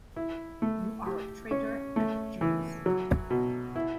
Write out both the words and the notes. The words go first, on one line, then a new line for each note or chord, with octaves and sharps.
You are a traitor and a Judas.
E4
A3
G4
C#4
A3
E3
F#3
B2
E4